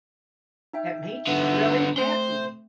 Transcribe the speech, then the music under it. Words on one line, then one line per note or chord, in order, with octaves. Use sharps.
that made you really happy?
D#4 E5 G5
D3 B3
A3 C4 C5